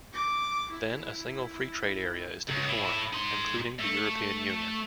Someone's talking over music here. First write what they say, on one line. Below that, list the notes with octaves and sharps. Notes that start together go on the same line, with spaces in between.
Then a single free trade area is to be formed, including the European Union.
D6
E4
C#2
A2 E4
D#4 C6
A3 A4